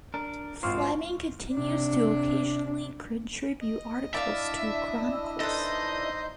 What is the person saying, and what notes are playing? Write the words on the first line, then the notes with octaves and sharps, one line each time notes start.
Fleming continues to occasionally contribute articles to "Chronicles".
D4 A#4
G#1 F4 C5 C#6 F6
C3 D4
D#5
D4 E4 D5 E5 F5 E6
D#4 A4 B4 C5 D#5 G6